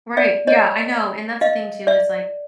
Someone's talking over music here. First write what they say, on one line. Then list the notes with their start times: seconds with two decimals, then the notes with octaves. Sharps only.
Right, yeah, I know, and that's the thing too, is, like,
0.17 D5 E5
0.47 C#5 D#5
1.41 D#5 F5
1.87 D5 E5